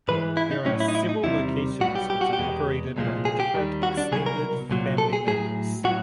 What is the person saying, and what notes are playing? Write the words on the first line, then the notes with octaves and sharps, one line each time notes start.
There are several locations which are operated by different extended family members.
G#2 E3 G#3 B4
E4
D#4
A2 F#3 C#4
E4
D#4
E4
D#4
E2 C3 D#3 G3 E4
B1 B2 G3 F#4
G4
G4
F#4
G4
E2 B2 G#3
C2 A#2 F3 G#3
G#4
G4
D#2 D#3 G3
F#4
D4
C2 B2 F#3 G#4
A#4
C2 A#2 F#3
A4
G#4
A2 F#3 G#4
A2 F#3 F#4